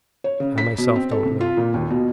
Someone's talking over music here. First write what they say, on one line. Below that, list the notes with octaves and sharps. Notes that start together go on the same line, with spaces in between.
I myself don't know.
C#5
C#3
B6
B2
C4
A4
C3
F4
A#2
D#2
B2